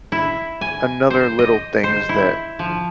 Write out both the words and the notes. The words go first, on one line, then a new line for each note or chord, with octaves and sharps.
another little things that
E4
G#5
C5
D#5
C5
E4
F3